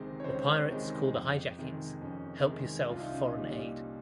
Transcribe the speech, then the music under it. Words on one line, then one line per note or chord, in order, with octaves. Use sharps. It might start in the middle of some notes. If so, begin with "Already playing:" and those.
The pirates call the hijackings "help yourself foreign aid".
Already playing: C#2 C3 D#3 G#3 C5
C#5
C#2 C5
C3 D#3 G#3
F2
C3 D#3 G#3
F2 C#4
C3 D#3 G#3
C2 F4
D#4
C#4
D#4
A#2 G3